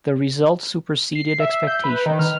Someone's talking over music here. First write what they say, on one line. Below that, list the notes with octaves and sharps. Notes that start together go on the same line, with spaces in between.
The result superseded expectations.
C7
E5
G6
B4
D#3
F6